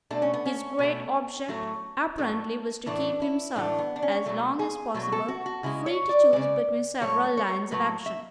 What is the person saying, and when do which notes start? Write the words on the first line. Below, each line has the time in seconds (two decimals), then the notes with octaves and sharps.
His great object, apparently, was to keep himself, as long as possible, free to choose between several lines of action.
0.11 B2 A3 D4
0.22 C#4
0.34 B3
0.46 C#4
0.79 B2 A3
1.49 A2 F#3 A3
2.18 A2 F#3 A3
2.86 A2 E3 A3 D4
3.22 E4
3.56 A2 E3 A3 D4
3.79 B3
3.96 D4
4.02 C#4
4.26 B2 F#3 A3
4.59 G#4
4.94 B2 F#3 A3
5.12 A4
5.28 F#4
5.46 F#4
5.63 C#3 G#3 E4
5.86 C#5
6.09 D5
6.33 C#3 G#3 D5
7.02 A2 F#3 A3 C#5
7.37 C#5
7.71 A2 F#3 A3 B4
8.06 E5